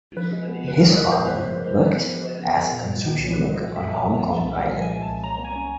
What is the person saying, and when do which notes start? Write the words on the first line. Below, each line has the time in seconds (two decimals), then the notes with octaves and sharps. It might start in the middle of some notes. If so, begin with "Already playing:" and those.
His father worked as a construction worker on Hong Kong Island.
0.17 F3 B4
0.33 G#3
0.48 B3
0.64 C#3 B4
0.80 F3 A#4
0.95 G#3 B4
1.11 B3 C5
1.28 C#3 B4
1.43 F3 C5
1.59 G#3
1.65 C5
1.75 B3
1.85 B4
1.91 C#3
2.07 F3
2.22 G#3
2.39 B3
2.54 C#3
2.70 A#2
2.86 F3
3.02 G#3
3.18 C2
3.33 A#2 B4
3.49 F3
3.54 D#5
3.65 G#3
3.76 E5
3.81 C2
3.97 A#2
4.13 F3
4.29 G#3
4.44 C2
4.61 A#2
4.76 F3
4.81 G#5
4.92 G#3
5.02 A5
5.08 C2
5.24 F#3 A#5
5.39 A#3
5.44 G#5
5.56 C#4